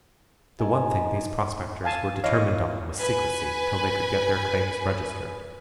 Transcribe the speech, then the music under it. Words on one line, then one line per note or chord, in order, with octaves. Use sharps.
The one thing these prospectors were determined on was secrecy till they could get their claims registered.
D#4 G#5 A5
F5 G#5 A5
E3 C#5 D#5 F5
B4 G#5